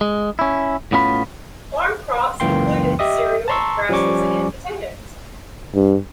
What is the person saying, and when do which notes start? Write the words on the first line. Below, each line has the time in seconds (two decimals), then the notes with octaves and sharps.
Farm crops included cereal grasses and potatoes.
0.01 G#3
0.39 C#4 E4
0.92 A2 B3 C#4 F4 E5 B5
2.40 C#2 F#2 E3 A#3 G5 C6
2.99 G4 D#5 E5 D#6
3.48 A5 A#5 C6 C#6 E6
3.89 F3 G3 C#4 G#5 C#6 D6
5.75 G2